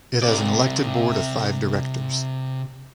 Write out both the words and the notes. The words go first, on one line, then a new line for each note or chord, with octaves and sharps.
It has an elected board of five directors.
C3 D5